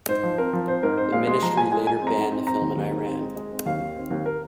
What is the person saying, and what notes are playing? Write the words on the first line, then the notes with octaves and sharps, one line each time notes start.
The Ministry later banned the film in Iran.
G#2 C5
F3
C4 A#4
F3
C4 C5
G#2 A#4
C4 C5
G#3 F5
G#3 C6
F3 A#5
G#3 G#5
G#3 G#5
G#3 G#5
C4
A#5
G#2
C4
C4 A#5
D#2
D#2
D#3
C4
G#3
G#3
C4
D#2 F5
D#3
C4
D#2
A#4